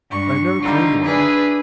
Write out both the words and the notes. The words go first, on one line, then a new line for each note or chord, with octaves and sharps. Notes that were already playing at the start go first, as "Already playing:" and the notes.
I have never claimed one.
G2 C#6
D3 G3 D#4 F4
D4 E4 G#4 B4